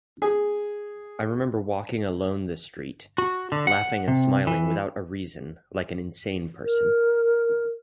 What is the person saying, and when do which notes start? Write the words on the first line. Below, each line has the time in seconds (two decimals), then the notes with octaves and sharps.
I remember walking alone the street, laughing and smiling without a reason like an insane person.
0.22 G#4
3.18 F#4
3.52 D3
3.67 F#5
4.08 C3
4.47 E3
6.63 A#4